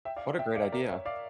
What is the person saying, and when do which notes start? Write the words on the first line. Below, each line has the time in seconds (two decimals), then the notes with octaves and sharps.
What a great idea.
0.05 E5 G5
0.16 D5 F5
0.39 E5 G5
0.55 D5 F5
0.72 A#4 D5
0.89 C#5 E5
1.05 D5 F5